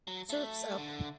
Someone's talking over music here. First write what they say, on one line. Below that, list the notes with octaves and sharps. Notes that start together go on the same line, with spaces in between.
Serfs Up!
F#3
A3
D3